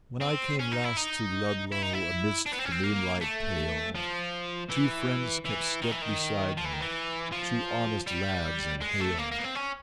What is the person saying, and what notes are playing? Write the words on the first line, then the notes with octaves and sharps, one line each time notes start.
When I came last to Ludlow Amidst the moonlight pale, Two friends kept step beside me, Two honest lads and hale.
C4
C#4
D#4
E4
D#4
E4
D#4
E4
D4
B3
C4
C#4
C4
A#3
A3
F3
E3
E3
D#3
E3
D#3
F3
E3
D#3
E3
F3
G3
G#3
A3
A#3
A#3
B3
C4
C#4